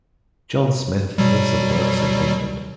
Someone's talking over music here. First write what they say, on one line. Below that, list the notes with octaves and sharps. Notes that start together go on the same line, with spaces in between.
John Smith lives and works in London.
B2 F#3 G3